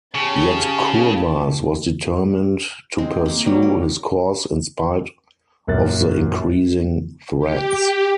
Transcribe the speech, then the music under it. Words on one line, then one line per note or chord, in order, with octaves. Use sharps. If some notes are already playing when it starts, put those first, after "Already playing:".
Yet Kurbas was determined to pursue his course in spite of the increasing threats.
C#3 G4 A5
G#3 C4
A#3
F#3 G3 A#3
A#4
A#1 F#2 A#3 F#6 A6
G4